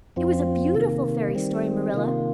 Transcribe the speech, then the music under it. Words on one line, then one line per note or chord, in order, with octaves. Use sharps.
It was a beautiful fairy story, Marilla.
F2 F3 C4 F4
C3 D#3 A#3
D#3 G3 C4
C3 D#3 A#3 F4